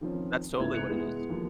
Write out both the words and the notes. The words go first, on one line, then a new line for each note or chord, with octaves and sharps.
That's totally what it is.
D#3 F3 C4 C#4
G1 C#2 A2 C3 E3 G#6
F#6 G#6 C#7 F7
G#3 B3 E4
D#2 F3